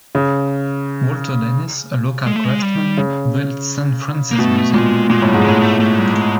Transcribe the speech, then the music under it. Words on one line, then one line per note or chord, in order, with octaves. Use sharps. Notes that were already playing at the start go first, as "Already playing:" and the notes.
Walter Dennis, a local craftsman, built Saint Frances Museum.
C#3
G#3
A3
G#3
G3
C#3
A#3
B2 A3
A#2 G#3
A#2 G#3
A2
G3
G#2
A2 G#3
A3
A3
G3
G#3